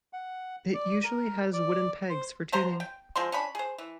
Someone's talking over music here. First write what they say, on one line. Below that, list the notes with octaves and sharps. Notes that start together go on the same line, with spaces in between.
It usually has wooden pegs for tuning.
F#5
D5
A#4
D5
C5
B2 C5 A#5 C6
G5
F3 G#3 C4 C6
C#4 D4 B5
G#4 C5
E3